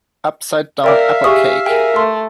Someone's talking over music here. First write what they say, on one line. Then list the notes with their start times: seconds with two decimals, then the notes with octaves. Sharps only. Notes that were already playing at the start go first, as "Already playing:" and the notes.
Upside down apple cake.
0.84 A#4 D5 E5 F5 G5 D6
1.24 G4 G#4 C#6 D#6
1.66 G#4 A#4 G5
1.96 A3 C6